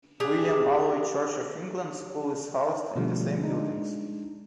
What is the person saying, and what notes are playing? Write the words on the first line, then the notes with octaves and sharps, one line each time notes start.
William Alvey Church of England School is housed in the same buildings.
D4 G4 G#4
B2 D3 F3 G3 A3
G#3 D4 D#4